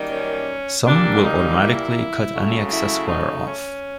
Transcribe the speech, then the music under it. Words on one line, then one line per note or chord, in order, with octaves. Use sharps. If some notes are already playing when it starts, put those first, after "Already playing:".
Some will automatically cut any excess wire off.
Already playing: F#2 D#3 G3 A#3
C#4
A#2 G3 A#3 D4
D#4
E4
C#3 F#3 A3
E4
D#4
C#4